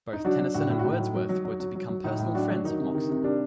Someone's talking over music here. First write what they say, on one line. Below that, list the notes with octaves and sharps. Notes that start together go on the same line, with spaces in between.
Both Tennyson and Wordsworth were to become personal friends of Moxon.
D#4
F#3 D4 F#4
F#3
A2 D4 F#4
A2
F#4
A2 D#4
F#3
F#3
F#3
F#3
F#3
F#3
F#3
A2 D#4
A2
F#3 D4 F#4
F#3
D#3 D#4
C3
D#3
C3
G3 D4